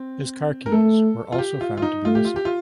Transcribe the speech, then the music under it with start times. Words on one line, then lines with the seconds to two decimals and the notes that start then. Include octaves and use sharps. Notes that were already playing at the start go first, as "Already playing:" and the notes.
His car keys were also found to be missing.
Already playing: C4
0.66 A#4
0.72 A3 A4
1.32 F4
1.39 G4
1.61 F4
1.77 F4
1.82 D#4
2.05 A3 F4
2.15 G4
2.25 F4
2.36 G4
2.45 F4